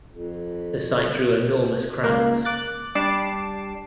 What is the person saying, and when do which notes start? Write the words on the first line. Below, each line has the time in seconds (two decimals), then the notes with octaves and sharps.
The site drew enormous crowds.
0.12 F2
2.04 C#2 A#3
2.45 D6 F#6 A6
2.95 G3 D4 A5 D6 C7 E7